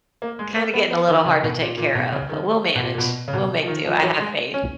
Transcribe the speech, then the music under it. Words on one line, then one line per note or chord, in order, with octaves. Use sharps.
kinda getting a little hard to take care of, but we'll manage. We'll make do, I have faith.
A#3
G#3
A#3
B3
B3
D#3
C#3
B2
A#2
A#2
B2
C#3
D#3
B2
A#2
A#2
B2
C#3
B2
F3
D#3
F3
F#3
G#3
C#4